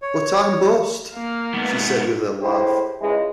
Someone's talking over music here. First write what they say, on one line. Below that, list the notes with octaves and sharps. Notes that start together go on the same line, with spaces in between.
"But I must," she said with a laugh.
C#5
A#3 F5
G#2 B3
A2 G#3 E4 G4 B4 C5
C#2 E3 G#3